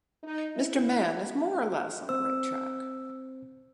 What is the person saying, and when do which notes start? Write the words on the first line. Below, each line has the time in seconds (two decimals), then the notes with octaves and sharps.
Mr. Mann is more or less on the right track.
0.24 D#4
0.56 E4
2.09 C4 C5 E6